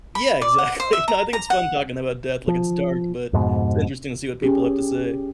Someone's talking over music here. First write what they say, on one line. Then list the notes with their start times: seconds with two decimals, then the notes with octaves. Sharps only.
Yeah, exactly. No, I think it's fun talking about death, like, it's dark, but it's interesting to see what people have to say.
0.15 B5
0.42 D5
0.58 F#5
0.80 C5
0.93 E5
1.08 A#5
1.33 A#5
1.50 F#5
2.48 F3
3.33 F2 G#2 B2
4.42 C#4 G4 G#4